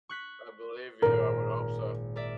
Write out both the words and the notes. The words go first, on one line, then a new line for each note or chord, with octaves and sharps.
I believe you, I would hope so.
C#6 F#6 B6
G#1 A#2 A#4
A#4 D5 E5